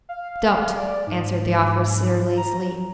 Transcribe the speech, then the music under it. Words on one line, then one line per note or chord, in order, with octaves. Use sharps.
"Don't," answered the officer lazily.
F5
D5
G#2
A#5